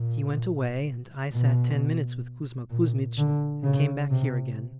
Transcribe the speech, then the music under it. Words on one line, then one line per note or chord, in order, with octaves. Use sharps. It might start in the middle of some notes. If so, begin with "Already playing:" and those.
He went away and I sat ten minutes with Kuzma Kuzmitch and came back here again.
Already playing: A#2
B2
A#2
D3
C#3
C3